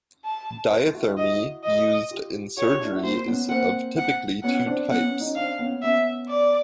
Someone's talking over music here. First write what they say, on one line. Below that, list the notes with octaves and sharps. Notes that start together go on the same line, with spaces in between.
Diathermy used in surgery is of typically two types.
A5
A4 B4
E4 F#4
D#5
D#5
F4 G4
F#4 G#4 C#5
F4 G4
D4 E4
E4 F#4
A#3 C4 C5
B3 C#4
A#3 C4 F#5
F#5
B3 C#4 F#5
C4 D4
B3 C#4 F#5
B3 C#4
C#4 D#4
C4 D4 F5
B3 C#4
B3 C#4 E5
D5